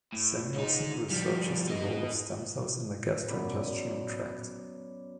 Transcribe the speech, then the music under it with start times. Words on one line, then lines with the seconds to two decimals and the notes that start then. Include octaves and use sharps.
Samuelson researches the role of stem cells in the gastrointestinal tract.
0.13 A2
0.54 G#2 D#4
1.10 F3 G3
1.67 B3 D#5
3.28 F#2 B2 D5 B5